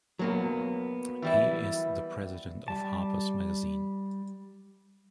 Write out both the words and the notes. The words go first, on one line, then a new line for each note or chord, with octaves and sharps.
He is the president of "Harper's Magazine".
F#3 A#3 B3
E3 G3 E4
G3 A5